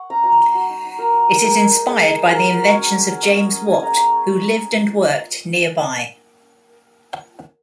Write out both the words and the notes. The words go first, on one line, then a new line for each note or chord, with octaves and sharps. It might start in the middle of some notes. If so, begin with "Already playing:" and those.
It is inspired by the inventions of James Watt, who lived and worked nearby.
Already playing: F#5 C#6
C#4 A#5
F#3 A#5
F#3
F#3
D#4
D#4
F#3 A#4
F#3
D#4 A#4
D#4 G#4
G#3
D#4
D#4 G#4
G#3
G#3
F#3 A#4
F#3 A#4
F#3 C#5
C#4
C#4
F#3
C#4 D#5
C#4
C#4
C#4 G#5
G#3 A#5
G#3 C#6